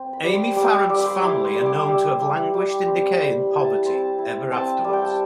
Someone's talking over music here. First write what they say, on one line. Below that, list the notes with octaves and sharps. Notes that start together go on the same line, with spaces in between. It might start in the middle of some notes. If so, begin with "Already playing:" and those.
Amy Farrant's family are known to have languished in decay and poverty ever afterwards.
Already playing: C4
B5
G3
C6
G3 D6
E6
G3 D6
B5
C6
E4 D6
C6
G3
D6
G3 E6
G3
G3 D6
C4
G3 C6
B5
E4
A5
C4 A5
E4
C4 A5
G3
G5
A5